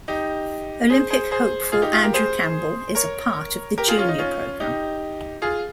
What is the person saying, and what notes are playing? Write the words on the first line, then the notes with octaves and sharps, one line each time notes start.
Olympic hopeful Andrew Campbell is a part of the Junior program.
D#4 G4
G#4 C5
G#4 C5
G#4 C5
F4 G#4
D#4 G4
F4 G#4
G4 A#4
G#4 C5
A#4 C#5
G4 A#4
F4 G#4
C#4 F4
D#4
C#4 F4
D#4 G4
F4 G#4